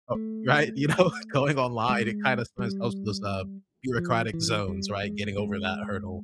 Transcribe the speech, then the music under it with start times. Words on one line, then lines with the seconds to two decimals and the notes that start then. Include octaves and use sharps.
oh Right, you know, going online, it kind of sometimes helps with those, uh, bureaucratic zones, right? Getting over that hurdle.
0.15 A3
1.89 G#3
2.59 G3
3.99 F3
4.33 E3
4.68 G3
5.03 G#3
5.38 G#3